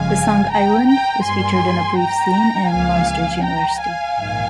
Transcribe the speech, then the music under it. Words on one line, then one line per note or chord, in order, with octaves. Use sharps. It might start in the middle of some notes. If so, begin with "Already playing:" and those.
The song "Island" was featured in a brief scene in "Monsters University".
Already playing: G1 F2 C#3 G#3 F5 G#5
G5 A#5
G5 A#5
G2 G3 A#3 G#5 C6
G5 A#5
C#2 C#3 F3 A#3 F5 G#5
G5 A#5
F5 G#5
A#1 G#2 D#3